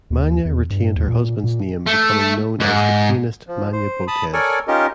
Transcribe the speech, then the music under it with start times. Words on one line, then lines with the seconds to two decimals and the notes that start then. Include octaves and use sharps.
Mania retained her husband's name, becoming known as the pianist Manya Botez.
0.10 D#2
0.45 E2
0.70 G2
0.96 D#2
1.08 A#2
1.44 A#2
1.86 A3
2.60 G#2
3.48 F3
3.73 C5
4.08 A5 B5 D#6
4.33 A4 A#4 C#5 D5 G#5
4.68 C#4 D#4 F4 G4 A#4 D#5